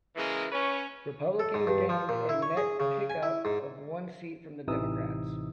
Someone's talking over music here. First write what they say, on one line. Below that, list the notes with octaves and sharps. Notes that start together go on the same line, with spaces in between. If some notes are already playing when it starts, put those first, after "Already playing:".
Republicans gained a net pick-up of one seat from the Democrats.
C#3 E3 G#3 A#3
C#4 B4 C#5
A4
G#2
G2
F3
A#2
E4
C#5
G#4
C#3
G#5
E4
G#2
A1 C3 E3 D#4 D#6 E6